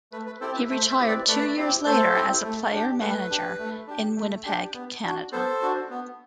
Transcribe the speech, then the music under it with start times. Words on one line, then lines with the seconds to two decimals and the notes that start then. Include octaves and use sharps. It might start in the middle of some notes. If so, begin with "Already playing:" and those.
He retired two years later as a player-manager in Winnipeg, Canada.
0.12 A3 B4
0.26 B4
0.41 C4 E4 G4 A4 C5
0.56 B4
0.70 A3 C5 E5
0.89 C5 E5
0.99 C4 E4 G4
1.08 B4 D5
1.28 A3 B4 D5
1.57 C4 E4 G4
1.86 A3 A4 C5
2.15 C4 E4 G4
2.43 A3
2.72 D4 G4
3.01 A3 B4
3.30 D4 G4
3.59 A3
3.87 D4 G4
4.16 A3
4.46 D4 G4
4.74 B3
5.03 D4 F#4
5.32 B3 A4 C5
5.62 D4 F#4
5.90 B3